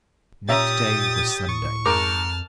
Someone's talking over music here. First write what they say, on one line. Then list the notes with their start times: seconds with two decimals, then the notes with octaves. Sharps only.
Next day was Sunday.
0.49 A#2 C#4 G4 E5 A#5 D#6 A6
1.48 A2 C#6
1.86 F2 G#2 A#4 A5 D6 F6